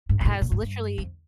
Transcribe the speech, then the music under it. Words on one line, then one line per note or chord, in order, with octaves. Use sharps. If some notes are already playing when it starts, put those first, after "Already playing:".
has literally,
G#2
A#2
A2
A#2
G#2
G2
F2